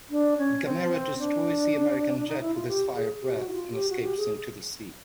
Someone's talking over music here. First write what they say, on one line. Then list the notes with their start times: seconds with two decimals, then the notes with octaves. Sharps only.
Gamera destroys the American jet with his fire breath and escapes into the sea.
0.11 D4
0.38 C#4
0.64 C4
0.92 C4
1.18 D4
2.28 D#4
2.41 E4
2.54 F4
2.68 G4
2.95 G#4
3.22 G4
3.36 F#4
3.48 E4
3.53 F4
3.71 G4
3.90 F#4
4.03 G4
4.17 G#4